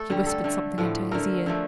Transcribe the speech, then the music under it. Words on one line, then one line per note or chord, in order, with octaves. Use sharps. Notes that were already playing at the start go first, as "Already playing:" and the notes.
'She whispered something into his ear.
Already playing: A3 A4
D3 G3
A4
D3 A3
A2 F3 A3
D3 A3 A#4
D3 F3 A3